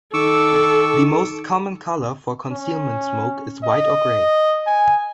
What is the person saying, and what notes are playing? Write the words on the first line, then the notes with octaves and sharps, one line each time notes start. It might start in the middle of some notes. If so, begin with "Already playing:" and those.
The most common color for concealment smoke is white or grey.
D#3 A4 C#6 D6 E6
C#4
D#5
G#5